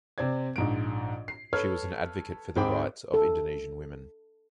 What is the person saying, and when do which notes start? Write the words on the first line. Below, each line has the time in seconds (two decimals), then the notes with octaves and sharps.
She was an advocate for the rights of Indonesian women.
0.18 C3 C4 D5 G#6
0.56 A#1 G#2 D7
1.28 C7
1.53 A4 B4 C#5 A5 F6 G#6
2.56 G#2 C4 G#4 G5 B5 D6
3.14 A4